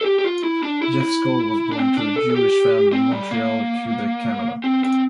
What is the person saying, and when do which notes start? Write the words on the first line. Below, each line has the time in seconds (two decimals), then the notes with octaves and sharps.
Jeff Skoll was born to a Jewish family in Montreal, Quebec, Canada.
0.01 A4
0.05 G4
0.19 G4
0.24 F4
0.44 E4
0.63 D4
0.82 E4
1.01 E4
1.72 D4
1.78 C4
1.97 D4
2.16 A4
2.30 A4
2.36 G4
2.93 C4
3.12 G3
3.31 A#3
4.64 C4
4.84 C4